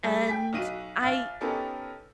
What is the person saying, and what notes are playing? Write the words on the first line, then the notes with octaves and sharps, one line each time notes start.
and I
G3 G#4
G5 G#5 B6
B1 D#4 F#4 D#7
A#1 F5 A6
B3 C#4 D#4 G4 A4 A#4